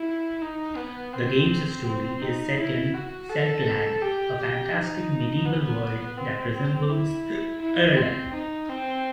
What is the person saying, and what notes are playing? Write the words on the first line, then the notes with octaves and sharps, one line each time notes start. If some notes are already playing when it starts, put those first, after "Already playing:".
The game's story is set in Celtland, a fantastic medieval world that resembles Ireland.
Already playing: E4
D#4
B3
C4
C4
D#4
E4
F#4
A4
G4
G4
D#4
B3
C4
E4
E4
C4
D#4
C4